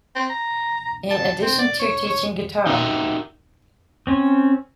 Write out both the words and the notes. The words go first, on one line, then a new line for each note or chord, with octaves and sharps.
In addition to teaching guitar.
C4
A#5
A5
C4
D5
C#5
C#5
D#4 F#4 G4 A4 A#4 E5
C4 C#4